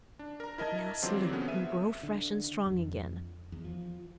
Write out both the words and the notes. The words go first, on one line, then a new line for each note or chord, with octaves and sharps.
But now sleep and grow fresh and strong again.
D4
A#4 A#5
E4 A#4 D#5 A5 G#6
D3 E3 F#3 C4 F4 G4
C#3 B3 C#4 A4
E5 D#7
D3
F2
E2
F3